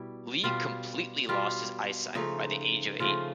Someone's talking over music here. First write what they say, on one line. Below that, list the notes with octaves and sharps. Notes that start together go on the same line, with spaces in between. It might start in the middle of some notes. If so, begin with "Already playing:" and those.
Lee completely lost his eyesight by the age of eight.
Already playing: B2 G3 E4
B2 G3 F4
B2 G3 F4
C#3 F3 A3 D#4
C#3 F3 A3 F4